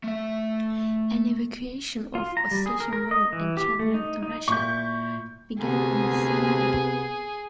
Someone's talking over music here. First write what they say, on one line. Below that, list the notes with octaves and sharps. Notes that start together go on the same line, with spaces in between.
An evacuation of Ossetian women and children to Russia began on the same day.
A3 E5
F4
A#5
G3
G#4
A#4
A#4
D#5
E3
G4
A3
D#4
D#4
A#2 E4 C#6 G6
D2 C3 B3 G#4